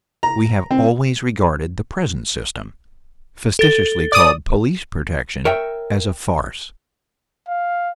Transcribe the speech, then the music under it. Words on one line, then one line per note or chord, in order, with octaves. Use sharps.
We have always regarded the present system--facetiously called police protection--as a farce.
A#5
C4
A4 A6 G7
D5 D#6
A#4 C#5 E5 G5
F5